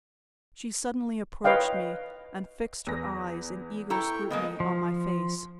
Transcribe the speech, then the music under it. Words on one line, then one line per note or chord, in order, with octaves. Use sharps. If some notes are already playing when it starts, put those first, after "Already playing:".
She suddenly approached me, and fixed her eyes in eager scrutiny on my face.
B4 C#5 D#5 F5 G5
E2 B4 A#6
E4 A4 G5 A#5 C#6
G#3 A#3 B3 D#5
F3